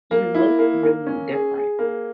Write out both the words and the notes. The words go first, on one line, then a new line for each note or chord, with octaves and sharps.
you look really different,
A#3
E4
A#3
A#3
C#4
G#4
G#4
A#3